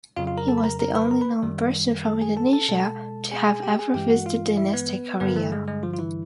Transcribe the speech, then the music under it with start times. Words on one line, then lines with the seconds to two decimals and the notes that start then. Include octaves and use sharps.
He was the only known person from Indonesia to have ever visited dynastic Korea.
0.16 F2 C#3 F#3 F4 F5
0.27 F4 F5
0.38 A#4 A#5
0.48 A4 A5
0.58 B5
0.64 A#4 A#5
0.79 A#4 A#5
0.95 B4 B5
1.11 A#4 A#5
1.21 B4 B5
1.43 F#2 D#3 G3
2.05 A4 A5
2.21 G#4 G#5
2.37 A4 A5
2.53 A4 A5
2.69 B2 G#3 A4 A5
3.32 G#4 G#5
3.47 G#4 G#5
3.63 G4 G5
3.79 G#4 G#5
3.94 G2 E3 G#3 G4 G5
4.10 F#4 F#5
4.26 F4 F5
4.57 E4 E5
4.73 B3 B4
5.20 G2 D3 G3 B3 B4
5.29 A#4
5.36 A3 A4
5.52 G#3 G#4
5.68 G#3 G#4
5.83 F3 F4
5.94 F4
5.99 E3 E4